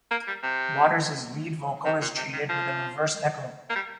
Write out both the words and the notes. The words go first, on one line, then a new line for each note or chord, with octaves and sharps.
Waters's lead vocal is treated with a reverse echo.
A#3
G3
C3
C3
A#2
C3
D#3
F3
A#3
G3